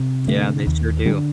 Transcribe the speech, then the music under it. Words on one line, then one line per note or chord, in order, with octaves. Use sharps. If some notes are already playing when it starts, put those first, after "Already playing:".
Yeah, they sure do.
Already playing: C3
D3 A3
D#2
D3 G3